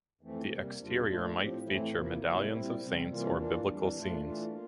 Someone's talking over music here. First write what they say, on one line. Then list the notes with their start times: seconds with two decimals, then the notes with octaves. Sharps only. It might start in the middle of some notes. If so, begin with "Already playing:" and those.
The exterior might feature medallions of saints or Biblical scenes.
0.21 F2 E3 A3 C4
0.49 C3 G3 A#3
0.78 E2 C3 G3 D4 F4
1.07 A#2 A3 D4 F4
1.36 A2 F3 C4 G4
1.64 A2 E3 A3 C4 E4
1.93 C3 F3 A#3 E4
2.22 C3 G3 A#3 E4
2.51 A#2 G3 C4 E4
2.79 C3 G3 C4
3.09 C3 E3 G3 A#3 F4
3.37 E3 A#3 D4 F4
3.66 F2 E3 G3 D4
3.95 A#2 A3 D4 F4
4.24 E3 A3 D4 F4
4.52 A#3 F4